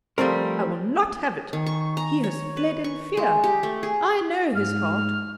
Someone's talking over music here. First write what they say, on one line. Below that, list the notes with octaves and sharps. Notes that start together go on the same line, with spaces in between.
I will not have it; he has fled in fear. I know his heart.
F3 G3 A3 C4 A#4
D#3
C#6
A#5
C#5
B4
C#6
G#3
G4
A3
G#4
G#2 F6